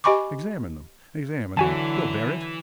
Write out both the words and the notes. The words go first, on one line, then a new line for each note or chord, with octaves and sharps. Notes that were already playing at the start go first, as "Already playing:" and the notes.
Examine them--examine them--they'll bear it.
G4 D#5 G#5 B5 C#6 D6
D3 E3 F#3 E4 F#4 G#5 A5